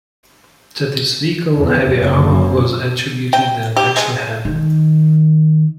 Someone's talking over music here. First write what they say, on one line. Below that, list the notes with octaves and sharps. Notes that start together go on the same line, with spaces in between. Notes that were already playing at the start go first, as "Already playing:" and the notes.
To this vehicle heavier armor was attributed than it actually had.
E2
F#1
F#2
G5
G4
G#3
D#3